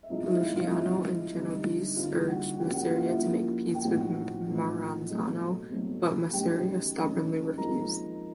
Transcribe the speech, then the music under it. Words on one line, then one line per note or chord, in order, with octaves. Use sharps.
Luciano and Genovese urged Masseria to make peace with Maranzano, but Masseria stubbornly refused.
E5
F3 G#3 C4 D#4 D#5
E4 E5
F4 F5
F4 F5
F3 G#3 C4 E4 E5
D3 G3 C4 D#4
D3 G3 C4 D#4 F4 F5
F#4 F#5
F3 A#3 C#4 G4 G5
F#4 F#5
F4 F5
E4 E5
F3 A#3 C#4
G5
A2 F3 A3 C4 D#4 F#4 F#5
A2 F3 A3 C4 D#4
B2 F#3 A3 C4
B2 F#3 A3 C4
D#3 F#3 A3 C#4 G4 G5
D#3 F#3 A3 C#4
F3 G#3 C4 D#4 A#4 A#5